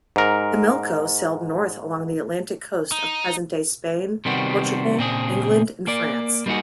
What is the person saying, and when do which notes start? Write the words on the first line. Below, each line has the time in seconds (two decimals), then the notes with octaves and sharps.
Himilco sailed north along the Atlantic coast of present-day Spain, Portugal, England and France.
0.16 G#2 A#4
2.92 D#4
4.25 C3 D#3 G3 B3 C4 F#4
4.99 A#2 C#3 C4 D4 F#4 G#4
5.88 A#3 D5
6.46 G3 A#3 D#4 F4 F#4 G#4